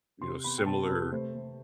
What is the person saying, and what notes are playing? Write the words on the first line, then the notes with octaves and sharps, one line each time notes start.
you know, similar
C3 C6
B3 B5
G5
C3 A5
C3 B4
A3 C5
A3